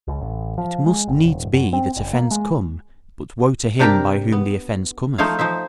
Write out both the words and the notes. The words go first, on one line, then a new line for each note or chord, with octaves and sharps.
It must needs be that offence come, but woe to him by whom the offence cometh.
C#2
A1
F3
G#3
F#1
E1
F#2
C4
F#1
A#3
G#3
C3 D4 G4 A#4 G5
B3
F3 A3 D#4 C5 C#5 F5
F3 D#4 C5 E5